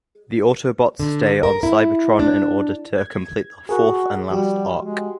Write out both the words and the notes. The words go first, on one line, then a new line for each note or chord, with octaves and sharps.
The Autobots stay on Cybertron in order to complete the fourth and last Ark.
D3
A#4
E4
D4
G#6
F#4 G#4 A#4 F#5
F3 G3 F#4 G4
G#3